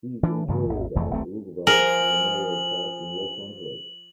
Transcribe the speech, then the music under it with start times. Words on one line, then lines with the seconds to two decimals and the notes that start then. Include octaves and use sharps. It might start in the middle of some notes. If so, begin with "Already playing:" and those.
He is interred at Roosevelt Memorial Park in Los Angeles.
0.23 E3 D4
0.48 G2 C#3 E3 A3
0.69 G#1 E2
0.95 F1 F2 E3 A3
1.10 D#1 B1 A3 C4
1.67 F3 G#4 A#4 F#7